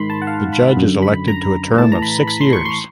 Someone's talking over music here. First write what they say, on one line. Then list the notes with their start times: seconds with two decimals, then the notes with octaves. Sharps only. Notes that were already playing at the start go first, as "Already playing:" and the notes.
The Judge is elected to a term of six years.
Already playing: G#2 D#3 B5 C6
0.10 A5
0.22 F#5
0.27 F5
0.53 B5
0.77 F#2
0.82 D3
1.02 B5
1.28 A#5
1.78 A2 E3 A5
1.92 A#5
2.02 B5
2.27 B5
2.41 C6
2.53 C#6
2.65 C6